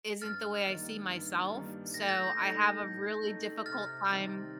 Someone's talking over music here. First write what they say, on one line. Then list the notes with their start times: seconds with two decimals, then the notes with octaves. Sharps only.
isn't the way I see myself, so I have a really difficult time
0.22 G2 F6 A6
0.65 D#3 G3 A#3 D#4
1.09 G2
1.51 D#3 G3 A#3 D#4
1.94 A2 A#6
2.01 A6
2.09 G6 A#6
2.38 A3 D#4 A4
2.81 A2
3.23 A3 D#4 A4
3.66 C3 F6 A6
4.09 D#3 G3 C4 G4